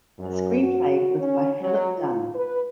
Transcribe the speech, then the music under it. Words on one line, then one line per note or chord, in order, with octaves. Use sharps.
The screenplay was by Philip Dunne.
F#2
F#4
C#4
F#3
F4
B4